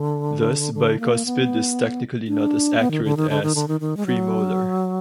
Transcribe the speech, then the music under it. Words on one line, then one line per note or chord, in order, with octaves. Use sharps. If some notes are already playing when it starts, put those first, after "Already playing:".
Thus, "bicuspid" is technically not as accurate as "premolar".
Already playing: D3
D3
A#3
B3
D4
B3
D#3
D3
D#3
D3
D#3
D3
D#3
D#3
G#3
F#3